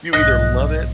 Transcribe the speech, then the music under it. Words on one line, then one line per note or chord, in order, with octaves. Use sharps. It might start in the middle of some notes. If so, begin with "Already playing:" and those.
you either love it,
B1 G#2 F3 D#5 F#6